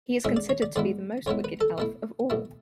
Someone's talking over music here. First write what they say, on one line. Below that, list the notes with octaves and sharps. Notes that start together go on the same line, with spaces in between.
He is considered to be the most wicked elf of all.
B2 G#3 C#4 E4 E5
D5
C#5
D5
G#2 G#3 B3 E4 D5
G#2 G#3 B3 E4 C#5
B4
A4
B2 A3 E4
B2 A3 E4